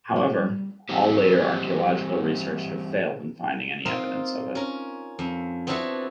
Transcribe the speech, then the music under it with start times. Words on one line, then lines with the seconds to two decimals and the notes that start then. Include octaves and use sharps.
However, all later archaeological research have failed in finding any evidence of it.
0.16 G3
0.89 E3 G3 A3 C4 G4
3.85 C4 D#4 F4 A#4
4.55 C#4 A#4
5.19 F2
5.67 B3 C4 D4 E4 F#4 A4